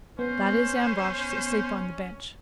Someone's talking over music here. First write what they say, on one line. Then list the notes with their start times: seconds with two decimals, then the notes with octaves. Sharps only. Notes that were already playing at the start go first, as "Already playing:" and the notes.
That is Ambrosch, asleep on the bench.
0.19 B3 C#4 C5